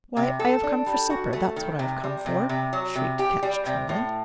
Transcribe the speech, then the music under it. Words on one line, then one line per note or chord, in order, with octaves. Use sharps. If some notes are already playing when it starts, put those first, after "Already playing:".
"Why, I have come for supper, that's what I have come for," shrieked Ketch, trembling.
C3
A4
D4
G3
F#4
A3
D#3
C3
G3
C3
C3
F#3
C3
G4
G3
C3
A2